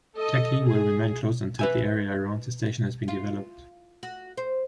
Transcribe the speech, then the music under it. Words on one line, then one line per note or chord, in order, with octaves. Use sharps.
Teck Lee will remain closed until the area around the station has been developed.
A4 D#5
G#4
B4 E5 G#5
F4
F#4
C5